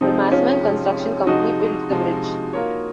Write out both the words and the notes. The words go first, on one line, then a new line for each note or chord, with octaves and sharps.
The Massman Construction Company built the bridge.
C3 F3 G#3 C4 D#4
C#4 F4
C3 F3 G#3
C3 F3 G#3 D#4 F#4
C3 F3 G#3
A#3 F4 A#4 C#5